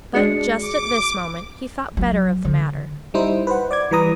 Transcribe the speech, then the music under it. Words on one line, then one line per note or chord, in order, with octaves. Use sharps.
But just at this moment, he thought better of the matter.
G#3 D4 F#4 G#4 C#7
D6
F#3
D3
G3 D#4 E4 C5
B4 C5 F#5
D5 D6 G#6
E3 G3 B4 A#5 D#6